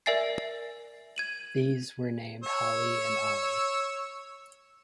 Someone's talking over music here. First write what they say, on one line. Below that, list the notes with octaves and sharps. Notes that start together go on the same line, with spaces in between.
These were named "Holly" and "Olly".
A#4 D5 E5 G#5 A6 C7
G#6 D#7 F#7
C#5 E6